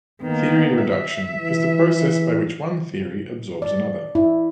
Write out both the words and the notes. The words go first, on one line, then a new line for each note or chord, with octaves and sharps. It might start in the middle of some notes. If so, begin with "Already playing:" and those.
Theory reduction is the process by which one theory absorbs another.
D#3 A#3 B3
E5
E3
D5
E4